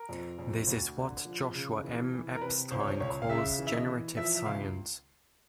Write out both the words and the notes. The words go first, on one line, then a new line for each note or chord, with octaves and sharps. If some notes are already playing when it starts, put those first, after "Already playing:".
This is what Joshua M. Epstein calls generative science.
Already playing: A#4
F2
F2
D2
D3
F3
C#3
E3
E3
A#4
C3 B4
C#2 C5
C#5
C5
C#2 C#5
F5
C#3 E5
E3
E5
D#5
E3
F3 E5
E5
C#2 F5